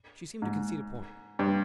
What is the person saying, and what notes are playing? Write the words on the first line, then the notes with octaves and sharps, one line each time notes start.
She seemed to concede a point.
G#2
G2